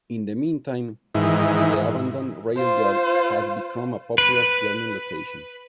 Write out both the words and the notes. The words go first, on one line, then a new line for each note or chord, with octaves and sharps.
In the meantime, the abandoned railyard has become a popular filming location.
G#2 D#3 E3
F4 C5
B4